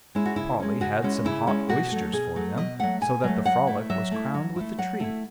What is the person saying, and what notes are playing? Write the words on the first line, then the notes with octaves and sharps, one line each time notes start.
Polly had some hot oysters for them, so that the frolic was crowned with a treat.
G#3 C#4 E4
F#4
C#3 E4
G#3 C#4 E4
C#3 F#4
G#3 C#4 E4
C#3 E4
G#3 C#4 E4
B2 F#4
F#3 A3
B2 G#4
F#3 A3
B2 D#5
F#3 A3 F#5
B2 G#5
F#3 A3
F#3 F#5
A3 E4
F#3 E5
A3 E4
F#3
A3 E4
F#3 F#5
A3 E4